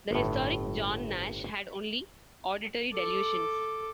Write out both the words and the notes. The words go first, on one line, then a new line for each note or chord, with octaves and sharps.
The historic John Nash had only auditory delusions.
G1 A2
A4 D6